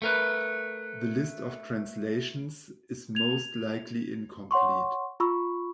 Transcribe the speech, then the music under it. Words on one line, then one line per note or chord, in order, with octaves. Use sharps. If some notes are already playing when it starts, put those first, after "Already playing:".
The list of translations is most likely incomplete.
A3 A#4 B4
G#6 F7
C#5 F#5 C6 C#6
F4 B5 C#6 E6